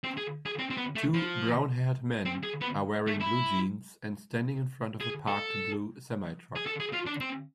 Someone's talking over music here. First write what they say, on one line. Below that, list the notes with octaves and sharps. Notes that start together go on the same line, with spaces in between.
Two brownhaired men are wearing blue jeans and standing in front of a parked blue semitruck.
C4
G#4
G#4
C4
C4
B3
A3
F3
C4
G#4
B3
A3
E4
G#4
A4
G#4
A4
G#4
F4
D4
C4